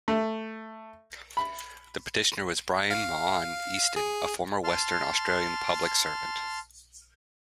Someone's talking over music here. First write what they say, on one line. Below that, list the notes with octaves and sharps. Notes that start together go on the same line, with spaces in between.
The petitioner was Brian Mahon Easton, a former Western Australian public servant.
A3
B5
F5
G#4
A5 C6 F6